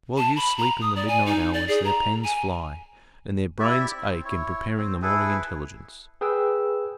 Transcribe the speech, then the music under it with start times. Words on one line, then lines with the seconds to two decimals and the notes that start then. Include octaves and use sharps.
While you sleep in the midnight hours, their pens fly, and their brains ache in preparing the morning intelligence.
0.18 A5
0.37 B5
0.58 A#5
0.81 D#6
0.96 D5
1.08 G#5
1.26 D#4
1.53 D5
1.68 G#4
1.85 A#5
2.24 G#5
3.60 E4 G4 D5 E5
3.94 C4
4.24 E4 C#5
4.77 C4
5.02 E4 G#4 A4 B4
6.21 G#4 B4 G5 E6